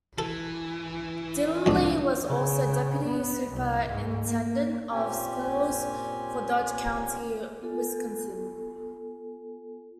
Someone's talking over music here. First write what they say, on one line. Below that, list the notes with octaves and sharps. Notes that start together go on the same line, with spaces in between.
Delaney was also deputy superintendent of schools for Dodge County, Wisconsin.
E3 A4
C2 F2 G#2 D4
C#3
B3
C2
G#2
A#3
A#2 C4 C#4 G4 G#5
B3 F4 A4 G#5